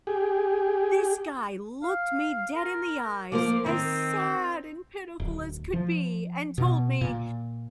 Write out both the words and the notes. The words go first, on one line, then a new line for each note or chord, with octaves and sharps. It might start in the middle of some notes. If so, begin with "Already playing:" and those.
this guy looked me dead in the eyes, as sad and pitiful as could be and told me,
G4 G#4
F5
A#4
F3 A#3 C5 D6
D#3 C4
D1
F3
B2
A#2